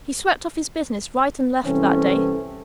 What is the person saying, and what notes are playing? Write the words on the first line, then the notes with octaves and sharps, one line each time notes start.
He swept off his business right and left that day.
C2 E3 C4 C#4 A4